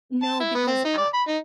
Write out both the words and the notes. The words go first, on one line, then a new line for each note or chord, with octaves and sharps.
No, because I
A5
E4
B3
C4
D#4
D5
B5
D#4